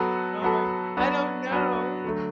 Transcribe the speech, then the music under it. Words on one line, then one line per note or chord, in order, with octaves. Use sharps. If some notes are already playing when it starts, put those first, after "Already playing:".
Oh my g I don't know.
Already playing: F#3 B3 F#4 A4
F#3 B3 F#4 A4
F#3 B3 D4 F#4
F#3 B3 D4 F#4
D3 F#3 A3